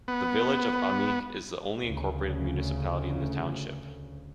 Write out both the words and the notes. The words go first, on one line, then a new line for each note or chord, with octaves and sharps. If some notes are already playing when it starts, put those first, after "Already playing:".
The village of Ahmeek is the only incorporated municipality in the township.
B3
D2 C#3